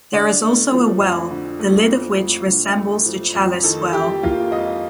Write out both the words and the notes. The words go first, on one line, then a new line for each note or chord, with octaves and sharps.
There is also a well, the lid of which resembles the Chalice Well.
D3 D5
A3
F3
F2
D3
A3
F3
F2
D3
A3
F3
F2
D#3 A4
F2 G4
A#3 F4
F2 D#5